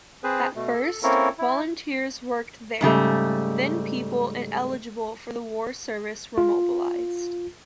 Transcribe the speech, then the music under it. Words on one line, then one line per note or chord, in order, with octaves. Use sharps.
At first, volunteers worked there-then people ineligible for the war service were mobilized.
C4 G#4 B4 C5
B2 A3
A4
A#3 C4 C#4 E4 A4 A#4
E4
G#2 C#3 G3 A3
F4